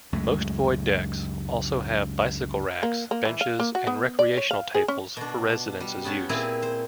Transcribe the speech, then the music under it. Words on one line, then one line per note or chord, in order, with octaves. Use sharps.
Most void decks also have bicycle racks, benches, and recreational tables for residents' use.
C#2 F#2 G#3 A3
A#3
A#3
E3
F5
A#3
F#4
B3
D5
C#5
F5
G#4
C#4
B2 D4
G3
B3 C#4 A5
A#2 C4 E4 G#4
C5